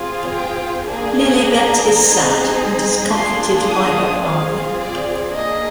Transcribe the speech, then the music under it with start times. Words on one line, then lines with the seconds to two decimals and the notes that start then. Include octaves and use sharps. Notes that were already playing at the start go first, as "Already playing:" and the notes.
Lilibet is sad and is comforted by her father.
Already playing: C4 F4 G#4
0.30 G5
0.86 A#3 D4 G#4 G#5
1.42 A#5
1.98 C4 D#4 G#4
3.09 A#3 D4 F4 G#4 C6
3.65 D#6
4.21 C4 F4 G#4 F5
4.78 D5
5.33 A#3 D4 G#4 D#5